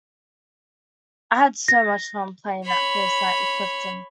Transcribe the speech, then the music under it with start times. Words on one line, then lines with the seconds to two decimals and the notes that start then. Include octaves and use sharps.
I had so much fun playing that first night with Clifton.
1.68 A#6
2.66 C#5 B5